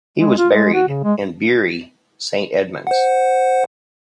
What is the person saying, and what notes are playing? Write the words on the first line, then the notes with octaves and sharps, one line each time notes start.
He was buried in Bury Saint Edmunds.
G#3
F4
G#3
F#4
C#3
G#3
C5 F#5